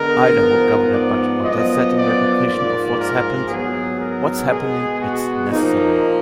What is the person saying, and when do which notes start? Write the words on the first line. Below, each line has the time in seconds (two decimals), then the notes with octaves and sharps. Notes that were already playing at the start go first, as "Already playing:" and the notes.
Idaho governor Butch Otter said In recognition of what's happened, what's happening, it's necessary.
Already playing: D3 G#3 B3 A#4
0.42 G#2 F3 B3
0.93 D5
1.44 F#2 F3 B3 D#5
1.96 D5
2.46 G#2 F3 A#3 D5
2.97 A#4
3.48 G#2 F#3 B3 G#4
3.99 A#4
4.50 B2 G#3 B3 G#4
5.00 F#4
5.51 A#2 F3 A#3 D#4